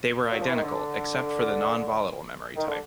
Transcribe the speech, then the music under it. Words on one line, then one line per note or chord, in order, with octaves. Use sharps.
They were identical except for the non-volatile memory type.
A#2
F#3
F3
E3
D#3
D3
D#3
D3